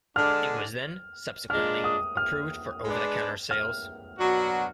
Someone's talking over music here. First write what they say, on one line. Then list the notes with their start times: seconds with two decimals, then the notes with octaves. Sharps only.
It was then subsequently approved for over-the-counter sales.
0.16 D3 G#3 D4 F6
1.50 A#2 G#3 D4 F6
1.84 D#6
2.17 F6
2.85 G#3 B3 D4
3.51 F6
4.18 B2 F#3 D4 F#4